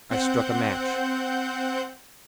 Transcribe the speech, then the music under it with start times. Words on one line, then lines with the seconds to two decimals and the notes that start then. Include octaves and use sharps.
I struck a match.
0.11 C4 F#5 G6